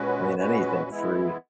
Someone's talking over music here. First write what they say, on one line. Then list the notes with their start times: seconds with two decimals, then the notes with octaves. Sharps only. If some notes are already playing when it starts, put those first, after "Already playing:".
I mean, anything free.
Already playing: A#2 G#3 C#4 F#4 B4
0.38 A#2 G#3 C#4 F#4 B4
0.90 E3 G#3 B3 E4